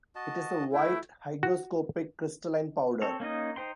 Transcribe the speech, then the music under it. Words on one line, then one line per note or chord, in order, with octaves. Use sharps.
It is a white, hygroscopic crystalline powder.
F#4 D#5 A5
A3 E4 G5
F#4
C4 A4 C#5
A#3 C#4 D#4 D#5
D#4 C5 G5 C6